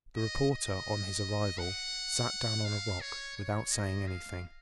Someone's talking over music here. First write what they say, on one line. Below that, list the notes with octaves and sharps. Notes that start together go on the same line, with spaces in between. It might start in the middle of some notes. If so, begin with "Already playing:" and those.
The reporter, on his arrival, sat down on a rock, without saying anything.
D#5
D#5
F#5
F5
C#5
C#5
D#5
F5